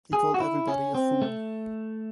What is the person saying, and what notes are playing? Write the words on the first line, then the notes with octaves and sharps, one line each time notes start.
He called everybody a fool.
G#4
F#4
E4
C#4
C4
A3